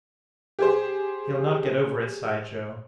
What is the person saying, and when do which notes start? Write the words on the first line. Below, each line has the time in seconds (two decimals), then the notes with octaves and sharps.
"He'll not get over it!" sighed Joe.
0.59 G4 G#4 C5